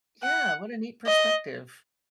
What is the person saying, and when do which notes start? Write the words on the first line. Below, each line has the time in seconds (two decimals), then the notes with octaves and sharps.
yeah, what a neat perspective.
0.23 F#5
1.06 D#5